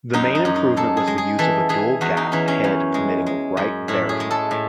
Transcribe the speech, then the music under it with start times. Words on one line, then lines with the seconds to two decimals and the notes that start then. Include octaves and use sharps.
The main improvement was the use of a dual gap head permitting write verify.
0.14 F#2 D#4
0.35 D#4
0.45 F#2
0.56 D#4
0.77 G#3 A4
0.97 G#4
1.07 G#3
1.18 G#4
1.39 E3 A4
1.69 E3 G#4
2.01 E2 F#4
2.17 D#4
2.32 E3 C#4
2.48 C#4
2.64 F#2
2.94 G#3
3.26 G#3
3.57 F#2
3.88 A2 E4
4.09 G#4
4.20 G#3
4.31 A4
4.51 A2